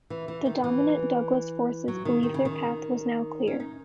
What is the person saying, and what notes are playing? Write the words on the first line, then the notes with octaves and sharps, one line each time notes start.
The dominant Douglas forces believed their path was now clear.
E3
E3
D#3
E3
F#3
D#3
D#3
C#3
D#3
C#4
D#4